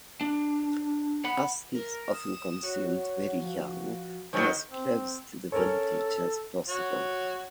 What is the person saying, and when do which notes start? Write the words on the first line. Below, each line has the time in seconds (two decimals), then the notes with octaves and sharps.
Asti is often consumed very young and as close to the vintage as possible.
0.21 D4
1.25 F#5 B5
1.75 A#4
2.11 D#6 E7
2.63 F#4 C#5
3.41 F3
4.33 G#2 D#3 F#3 B4
4.70 C4
5.52 C#4 A4 A#4 C#5
6.69 F#4 C#5